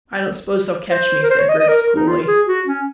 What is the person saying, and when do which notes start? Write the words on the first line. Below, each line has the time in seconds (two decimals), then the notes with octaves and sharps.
"I don't suppose they'll catch me," said Griggs coolly.
0.91 C5
1.23 A#4
1.30 C5
1.39 C#5
1.49 D#5
1.60 D#5
1.69 A#4
1.82 A#4
1.96 D#4
2.08 F4
2.27 G#4
2.47 F#4
2.68 C#4